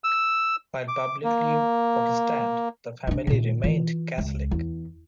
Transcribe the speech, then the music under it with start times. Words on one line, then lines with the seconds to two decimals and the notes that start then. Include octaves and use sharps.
While publicly Protestant, the family remained Catholic.
0.04 E6
0.88 D6
1.24 A#3
3.07 D4 F4
3.27 A#2 D#3
3.64 E3 F4
4.18 C#2
4.51 E2